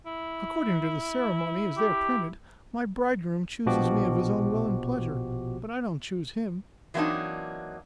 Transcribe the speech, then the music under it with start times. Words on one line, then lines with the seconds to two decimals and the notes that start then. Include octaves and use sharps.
According to the ceremony as there printed, my bridegroom chooses me of his own will and pleasure; but I don't choose him.
0.06 E4
1.77 G4
3.66 A#1 B2 F3 F#4 G4 D6
6.94 E3 F#3 A#3 C4 D4 D#4